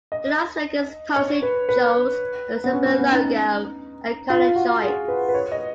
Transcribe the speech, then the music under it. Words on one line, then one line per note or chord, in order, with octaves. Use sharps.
The Las Vegas Posse chose a simpler logo and colour choice.
D#5
C#5
B4
B4
B3
C#4
C#4
B3
D#4
F4
F#4
G#4
B4
B4
C#5
D#5